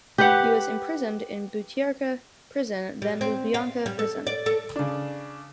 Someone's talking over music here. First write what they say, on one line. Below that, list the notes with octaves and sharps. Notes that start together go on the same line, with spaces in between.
He was imprisoned in Butyrka Prison then Lubyanka Prison.
G4 B4 F#5
G3
C4
F5
G3
A4
D5
A4
C#3 D4